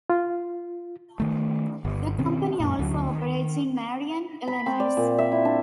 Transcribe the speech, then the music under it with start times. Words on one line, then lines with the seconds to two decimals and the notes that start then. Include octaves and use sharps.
The company also operates in Marion, Illinois.
0.10 F4
1.20 D#3 A3
1.85 G1
2.18 B2 D#3 C4 C#4
2.60 F#2 A#2
2.79 D2 D3 E3 F#3
3.09 D#3
4.48 B5
4.66 C4
4.80 D5
4.97 A#2
5.18 E5
5.32 E4
5.45 D4